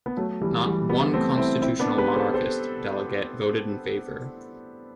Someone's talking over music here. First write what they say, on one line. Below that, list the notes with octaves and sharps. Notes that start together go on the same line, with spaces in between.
Not one constitutional monarchist delegate voted in favour.
B3
F#3 A3
E3 G3
E3 G3
G3 B3
A3 C4
C4 E4
C4 E4
B3 D4
G4 B4
A4 C5
A4 C5